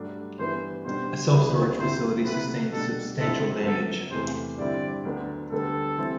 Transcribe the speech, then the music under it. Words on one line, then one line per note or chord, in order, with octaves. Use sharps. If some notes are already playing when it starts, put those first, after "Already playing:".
A self-storage facility sustained substantial damage.
Already playing: G2 F#3 A3 D4
G2 E3 B3 E4 C5
B2 G3 D4 C5
C2 C3 E3 B3 E4
G2 F#3 C4 E4 C5
C3 F#3 A3 E4 B4
B2 G3 D4 A4
G2 F#3 C4 E4 A4
F#2 F#3 B3 A4
E2 C3 E3 A3 C5
G2 D3 G3 C4 E4 D5
D2 D3 F#3 B3 D4
D2 D3 G3 B3 A4
E3 G3 C4 E4